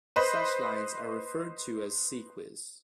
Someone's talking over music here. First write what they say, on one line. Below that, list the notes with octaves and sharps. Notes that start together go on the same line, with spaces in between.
Such lines were referred to as "ceques".
B4 C5 D#5 B5